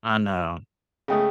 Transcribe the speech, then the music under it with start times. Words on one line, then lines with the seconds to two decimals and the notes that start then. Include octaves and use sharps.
I know.
1.08 C#3 G#3 A3 G#4 G5 D#6